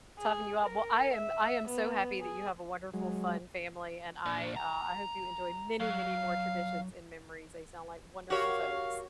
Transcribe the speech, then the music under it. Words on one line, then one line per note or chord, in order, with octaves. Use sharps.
toughen you up. Well, I am I am so happy that you have a wonderful, fun family, and I, uh I hope you enjoy many, many more traditions and memories, they sound like wonderful folks.
G#4
A#4
E5
B3
G#4
F#3 G#3
A#2 D4
A#5
F#3 F5
F#4 G4 A#4 C#5 F5 C#6